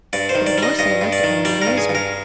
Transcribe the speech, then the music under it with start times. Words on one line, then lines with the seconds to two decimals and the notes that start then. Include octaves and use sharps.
The Divorcee looked at him in amazement.
0.13 G2 D5
0.29 C5
0.35 D#3
0.47 D5
0.58 G3 D#5
0.79 G2 D#5
1.01 G2
1.12 D5
1.24 D#3
1.45 G3 D5
1.62 A#4
1.67 G2
1.78 G#4
1.89 G2
1.95 A#4